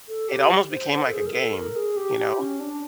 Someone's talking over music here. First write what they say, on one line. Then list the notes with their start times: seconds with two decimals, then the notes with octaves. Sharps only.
It almost became like a game, you know?
0.08 A4
0.29 G4
0.71 C5
0.91 C5
1.07 A4
1.13 G#4
1.26 A#4
1.33 A4
1.54 A#4
1.76 G#4
1.97 G4
2.18 G4
2.39 C#4
2.60 D4